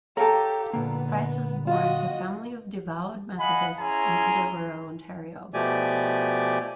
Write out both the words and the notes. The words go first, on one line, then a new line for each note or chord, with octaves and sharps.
Price was born to a family of devout Methodists in Peterborough, Ontario.
G4 A4 A#4 C#5 F5 A#5
A#2 D3 A#3 B3
F4 F#4 D#5
D#5 F5 F#5 G#5 B5
C#4 E4 G#4 G#5 A#5 C6
B2 F3 A3 G4 D5 G#5